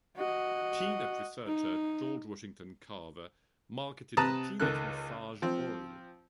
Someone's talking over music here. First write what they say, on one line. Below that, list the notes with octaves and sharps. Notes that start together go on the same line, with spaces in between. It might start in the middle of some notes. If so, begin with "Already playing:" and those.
Peanut researcher George Washington Carver marketed a peanut massage oil.
F#4 D#5
D#4
C3 B4 A5 A#5 D#6
C#2 D#3 A4 F#6
F3 C4